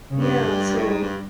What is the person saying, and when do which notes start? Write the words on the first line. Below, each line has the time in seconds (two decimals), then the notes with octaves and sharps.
Yeah, so
0.11 G2 C#3
0.44 G3
0.77 A2 G3
0.89 G#2
1.02 G2